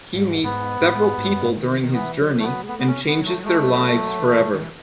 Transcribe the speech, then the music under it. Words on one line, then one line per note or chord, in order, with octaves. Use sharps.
He meets several people during his journey and changes their lives forever.
A2
G#2
G#2 B3
G#2
A2
G#2
G#2
F#2
G#2
D#3
D#3
E3 B3
F#3
E3
A3
F#3 B3
G#3
A3 B3
B3
C#4
B3
F#3
A3
F#3
G#3 A3
F#3
F#3
E3
D#3
E3